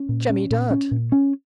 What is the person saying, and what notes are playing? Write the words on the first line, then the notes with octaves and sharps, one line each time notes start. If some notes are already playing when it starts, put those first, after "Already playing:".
"Jemmy Dadd."
Already playing: C#4
A#2
C#4
A#2
C#4
A#2
C#4